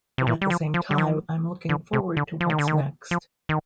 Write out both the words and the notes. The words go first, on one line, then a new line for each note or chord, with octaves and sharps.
But at the same time, I'm looking forward to what's next.
C3
A#2
G3
F3
F3
D3
D#3
D3
C3
D3
F3
D#3
D3
D#3
F3
D#3